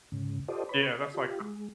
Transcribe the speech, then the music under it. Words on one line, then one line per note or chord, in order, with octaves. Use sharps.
Yeah, that's like
G#2 C#3
F4 G4 A4 C5 D5 D#5
B4 C#5 B5
D#5
F4 G4
G#3